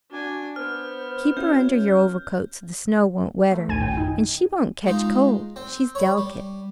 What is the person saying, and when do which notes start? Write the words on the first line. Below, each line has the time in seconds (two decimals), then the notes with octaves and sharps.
"Keep her under your overcoat, so the snow won't wet her, and she won't catch cold, she's delicate."
0.11 D4 F#4 G#5
0.56 B3 C5 F6
1.37 C#4 E4 F#4 C#5 G6
3.52 A3
3.68 A1 D2 D#3 G#5 G#6 D#7
3.81 F#2 G5
3.97 D#4
4.86 G#3 D#4 F4
5.56 C4
5.95 C#5 B5
6.18 G3